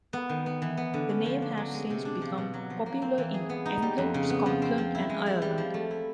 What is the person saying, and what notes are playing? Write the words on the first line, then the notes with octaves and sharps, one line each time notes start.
The name has since become popular in England, Scotland and Ireland.
B3
D#3
B3
E3
B3
D3
C#4
F3
D4
F#3
G#3
C3
D4
F3
B2
F#3
F3
A#3
C4
E3
G#4
B3
D#4
G3
F2
C#3
B3
F3
C4
F3
E4
G#3
E4
G3
F3
A3
E4